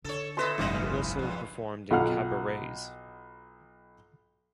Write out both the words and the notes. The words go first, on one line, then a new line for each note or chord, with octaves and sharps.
He also performed in cabarets.
D3 A4 C#5
A#2 A4 B4 D#5 E5 C6
F#1 B1 G#2 C#3 E3 G3 D#5
G2 F3
B1 F4 F#5 F6